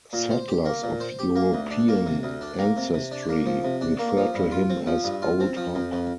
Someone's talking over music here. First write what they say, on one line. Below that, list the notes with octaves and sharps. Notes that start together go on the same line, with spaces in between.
Settlers of European ancestry referred to him as Old Hop.
A#2
C5
G4
A#3
A#2
C5
G4
A#3
D2
D4
A#3
C3
D2
D4
A#3
C3
C3
D4
A#3
F3
C3
D4
A#3
F3
G2
F4
C4
F3
G2
F4
C4
F3
F2
F2